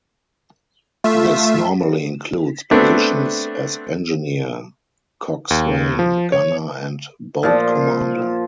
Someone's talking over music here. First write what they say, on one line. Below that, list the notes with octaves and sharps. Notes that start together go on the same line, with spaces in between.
This normally includes positions as engineer, coxswain, gunner, and boat commander.
A3 F4 E5
A3 B3 C4 D4
D#2
F3
C#5
A#2 F3